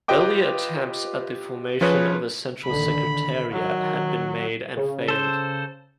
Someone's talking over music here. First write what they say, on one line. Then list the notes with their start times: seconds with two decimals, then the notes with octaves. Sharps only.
Earlier attempts at the formation of a central secretariat had been made and failed.
0.08 F4 G4 B4 D#5 G5 D6
1.81 F3 C#4 G#4 B4 C#5
2.65 A#1 D3 D#3 B5
3.52 D#3 F#3
4.76 C#3
5.08 A4 C5